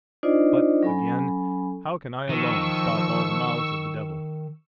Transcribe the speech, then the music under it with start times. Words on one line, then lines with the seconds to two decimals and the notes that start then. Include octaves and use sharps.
But, again, how can I alone stop all the mouths of the devil?
0.23 D4 D#4 F4 C5 D5 D#5
0.83 F#3 C#4 A4 G#5 B5
2.29 D#3 F3 C#6 E6